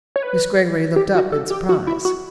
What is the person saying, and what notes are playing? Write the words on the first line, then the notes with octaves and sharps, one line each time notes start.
Miss Greggory looked up in surprise.
C#5
B4
G4
F#4
A4
G4
F#4
E4
F#4